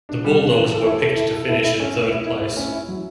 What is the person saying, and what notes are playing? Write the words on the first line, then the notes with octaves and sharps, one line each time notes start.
The Bulldogs were picked to finish in third place.
D4
G3
D4
E3
A4
E4
A4
E4
A4
E4
E4
C#4
A2
E4
E4
A2
C#4
E4
F#3